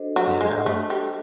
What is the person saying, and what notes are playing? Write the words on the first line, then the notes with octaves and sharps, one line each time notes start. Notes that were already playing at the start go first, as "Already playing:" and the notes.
You know?
Already playing: D4 F#4 A4 C5 D#5
F#3
G#3
A3
G3